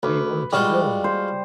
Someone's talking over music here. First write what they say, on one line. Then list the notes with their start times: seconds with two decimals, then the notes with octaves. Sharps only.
We want a dome!
0.03 D2 B4
0.52 G3 G#3 F4 F#4
1.04 C5